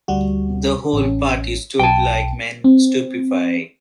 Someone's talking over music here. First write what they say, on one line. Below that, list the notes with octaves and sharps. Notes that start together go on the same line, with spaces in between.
The whole party stood like men stupefied.
D2 G3 F#4
A1 C#4
B1 G5 A5
C4